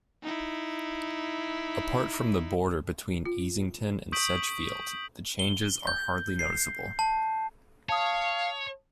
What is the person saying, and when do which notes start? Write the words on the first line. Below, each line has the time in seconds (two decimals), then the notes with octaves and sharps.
Apart from the border between Easington and Sedgefield, the changes are hardly noticeable.
0.23 D#4 E4
3.25 F4
4.12 C#6 D#6 G6 B6 D7 F#7
5.39 G7
5.87 G6
6.39 C7
6.99 A5
7.89 C#5 F5 A5 D#6